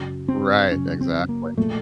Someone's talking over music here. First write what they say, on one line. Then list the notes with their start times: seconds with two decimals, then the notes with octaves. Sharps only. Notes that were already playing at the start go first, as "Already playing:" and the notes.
Right, exactly.
Already playing: F#2 C#3 F#3
0.28 C4
0.72 F#2 C#3 F#3 C#4
1.01 C4
1.29 A#3
1.57 A#2 F3 G#3 A3